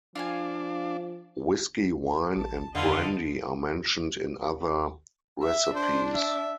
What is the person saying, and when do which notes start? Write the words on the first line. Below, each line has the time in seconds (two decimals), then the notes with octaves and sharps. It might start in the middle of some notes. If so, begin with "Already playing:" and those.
Whisky, Wine, and Brandy are mentioned in other recipes.
0.15 F3 D4 F4 F5 G#5
2.37 A1 A5
2.75 F2 D3 B3 F4 D#5 F5 A5
5.42 E5
5.75 D4 C5
6.14 E5